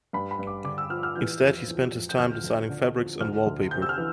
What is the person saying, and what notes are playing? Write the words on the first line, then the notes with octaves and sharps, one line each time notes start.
Instead he spent his time designing fabrics and wallpaper.
G2 B5
B5
G2
D6
D3 D6
E6
F3 F6
F6
E3 G6
F2
E3
F2
G6
D2 F6
D2
D3
F3
D2 F6
D2
C3 G6
E6
F6
E3